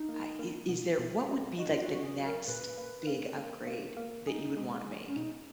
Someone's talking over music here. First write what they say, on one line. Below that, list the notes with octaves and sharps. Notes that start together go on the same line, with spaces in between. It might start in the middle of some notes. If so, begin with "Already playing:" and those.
uh, i is there What would be, like, the next big upgrade that you would wanna make?
Already playing: D#4
A#3
A#3
B2
B2
F#3
D#4 F#4
F4
F#4
F#3
F#4
G#4
F#3
A#4
A#2 B4
A#3
A#3
A#3
A#3
A#3
D#4 G#4
G#3
G#4
C#4
B2 D#4